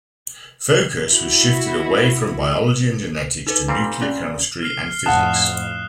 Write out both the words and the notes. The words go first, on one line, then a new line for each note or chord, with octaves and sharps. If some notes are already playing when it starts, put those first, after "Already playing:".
Focus was shifted away from biology and genetics to nuclear chemistry and physics.
E4 F#4
D#4 A4 B4
A#2 G3 C4
C#4 D5
F6 C7 G7
F2 A2 D#5 F#5 A5 D#6 F#6 E7